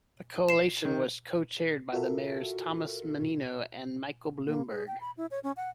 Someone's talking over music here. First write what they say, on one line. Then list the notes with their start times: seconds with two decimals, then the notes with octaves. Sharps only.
The Coalition was co-chaired by Mayors Thomas Menino and Michael Bloomberg.
0.49 C7 E7
0.85 D#3
1.93 F4 F#4 A4 A#4 E5
4.47 A#3
4.70 G#4
4.87 G5
5.01 B5
5.17 E4
5.31 C#5
5.44 C#4
5.57 F#5